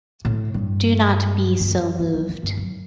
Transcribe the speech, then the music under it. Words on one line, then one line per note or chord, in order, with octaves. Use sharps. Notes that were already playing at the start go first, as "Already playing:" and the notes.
Do not be so moved.
A2
G2
G2
F#2
G2
F#2
G2
G2
F#2